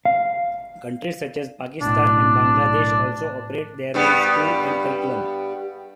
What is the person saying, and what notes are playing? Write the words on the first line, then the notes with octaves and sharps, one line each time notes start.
Countries such as Pakistan and Bangladesh also operate their own schools and curriculum.
F5
B1 A2 D4
G2 G3 B3